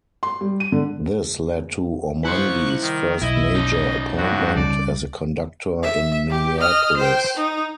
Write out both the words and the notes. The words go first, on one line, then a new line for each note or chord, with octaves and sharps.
This led to Ormandy's first major appointment as a conductor, in Minneapolis.
C6
G3
D#7
D3
E4 C5 C#6 F#6
D#3
B1 E4 D#5
C#4 D#4
G2 F#4
C#2 C#3 G3 D5
E5
G4
D#5 F6
C5 G5
D#4